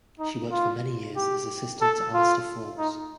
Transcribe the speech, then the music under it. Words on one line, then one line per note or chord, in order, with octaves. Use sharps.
She worked for many years as assistant to Alastair Forbes.
D#4
F4
G4
A4
F4
D#4